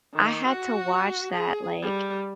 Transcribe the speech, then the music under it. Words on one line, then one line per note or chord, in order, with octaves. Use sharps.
I had to watch that, like,
D#3
F#4
G#4
G3